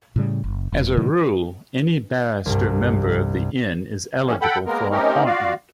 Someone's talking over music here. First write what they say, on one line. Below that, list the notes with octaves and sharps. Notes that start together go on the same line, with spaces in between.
As a rule, any barrister member of the Inn is eligible for appointment.
A2 C#3 G3
F#1
E1
A2 C3 D#3 F#3
C2 G2
E3 G3 A#3 C#4
A4 F#5 G5 B5
G#3 A#3 B3 A#4
A3 C4 C#4 D#4 G4 A#4
F4 F#4 D5 F5